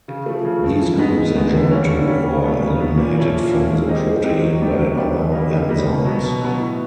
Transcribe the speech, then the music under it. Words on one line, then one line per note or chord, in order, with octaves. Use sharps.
These groups are joined to or eliminated from the protein by other enzymes.
C#3
F3 A3
C#3
F3 A3
E3
G#3 B3 D#4
E3
G#3 B3 D#4
D3
G3 A#3 C#4
D3
G3 A#3 C#4
C#3
F#3 B3
C#3
F#3 B3
A#2
F3 A#3 C#4 E4
A#2
F3 A#3 C#4 E4
G#3
C4 D#4 G4
G#3
C4 D#4 G4
F#3
B3 D4 G4
F#3
B3 D4 G4
D3
G3 A#3 D#4
D3
G3 A#3 D#4
B2
F#3 B3
B2
F#3 B3
A2